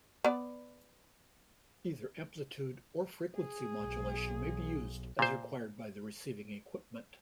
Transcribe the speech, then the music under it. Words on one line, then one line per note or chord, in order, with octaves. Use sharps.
Either amplitude or frequency modulation may be used, as required by the receiving equipment.
B3 D5
G#4
B1
A#2 C5